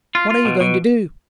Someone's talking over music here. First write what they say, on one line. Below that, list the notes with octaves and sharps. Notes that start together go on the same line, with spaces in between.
"What are you going to do?"
F4
F4
B2
B2